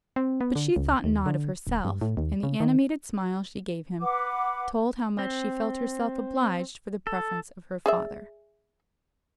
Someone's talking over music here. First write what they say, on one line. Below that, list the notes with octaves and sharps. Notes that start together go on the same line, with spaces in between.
But she thought not of herself, and the animated smile she gave him, told how much she felt herself obliged for the preference of her father.
C4
B3
D3
C#2
D#2
D3
D1
G2
A2
D#2
C#3
D#3
B4 F#5 D6
C4
A4
G#4 D5 E5